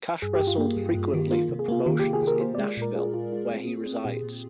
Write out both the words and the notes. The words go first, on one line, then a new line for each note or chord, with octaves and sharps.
Kash wrestled frequently for promotions in Nashville, where he resides.
G2 G#4
G2 G4
F4
A#3 G4
G2
G2
D#3
A#3 F4
C3
G#4
A#3 F4
D#3 F4
D#3 G4
G#4
D#3
A#4
F4 C5
G#3 D5
D5
A#2 A#4
F4 G#4
F4
F4
C4
C4
C4
A#2 G4
A#2